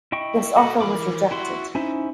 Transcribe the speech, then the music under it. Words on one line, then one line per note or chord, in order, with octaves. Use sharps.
This offer was rejected.
E4 D#5 G5 C#6
F#4 A4 D#5 F#5 B5
E3 A#4 B5 D6
E4 F#4 C6
C#4 D#4 E4 C5 E5